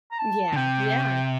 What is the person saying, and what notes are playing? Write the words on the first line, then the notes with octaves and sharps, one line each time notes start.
Yeah, yeah.
A#5
A5
D3
C3 G5